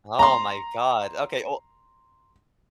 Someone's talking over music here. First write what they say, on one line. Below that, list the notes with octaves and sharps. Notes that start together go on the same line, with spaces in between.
Oh my God. Okay, well eh,
A#5 C6